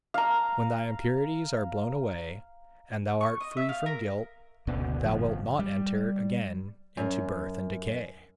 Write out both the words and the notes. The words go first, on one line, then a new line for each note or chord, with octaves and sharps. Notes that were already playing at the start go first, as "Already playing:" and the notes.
When thy impurities are blown away, and thou art free from guilt, thou wilt not enter again into birth and decay.
F5 A#5
C#6
D#5
E5
F5
A#4
F#1 D2 B2 D3
G1 F3
G3
F#2